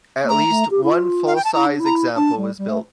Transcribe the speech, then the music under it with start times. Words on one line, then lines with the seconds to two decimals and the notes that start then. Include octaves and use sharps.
At least one full-size example was built.
0.24 A#3
0.29 A3 A#5
0.50 A3
0.71 G4
0.83 E4
0.91 F4
1.27 F5
1.36 G5
1.45 A5
1.54 E4 A#5
1.67 D4
1.80 E4
1.85 A#5
2.16 D4 A5
2.37 G3
2.58 G3
2.68 A3